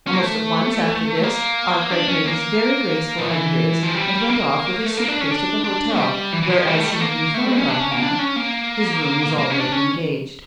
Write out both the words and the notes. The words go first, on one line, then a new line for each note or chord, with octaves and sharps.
Almost at once, after this, Arkwright made his very graceful adieus, and went off with his suit-case to the hotel where, as he had informed Aunt Hannah, his room was already engaged.
C#4
A#3
A3
A#3
D4
C#4
A#3
F3
E3
F3
G3
A#3
A3
A#3
D4
C#4
D4
D4
G3
E3
E3
F3
G3
A3
G3
A3
A#3
A3
G3
C#4
D4
C#4
A#3
D4
C#4
A#3
A#3
C#4
D4
C#4